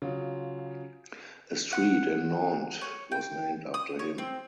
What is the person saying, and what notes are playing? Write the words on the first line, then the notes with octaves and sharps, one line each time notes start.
A street in Nantes was named after him.
C#3 F#3 F4
F#5
C#5
G5
D#6
C#5
C4